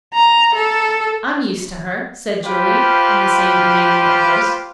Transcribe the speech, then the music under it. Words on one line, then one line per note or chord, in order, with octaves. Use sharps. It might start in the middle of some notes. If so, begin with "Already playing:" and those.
"I'm used to her," said Julie, in the same inanimate voice.
A#5
A4
F4 G4 B4 C5 F5